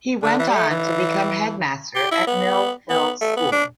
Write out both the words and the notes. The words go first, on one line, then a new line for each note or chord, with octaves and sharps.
He went on to become Headmaster at Mill Hill School.
D3
E3
G3
A3
E3
G4
E4
B3
B3
A3
B3
D4